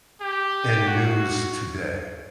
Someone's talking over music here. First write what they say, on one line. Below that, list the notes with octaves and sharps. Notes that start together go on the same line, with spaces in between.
in news today?
G4
F#4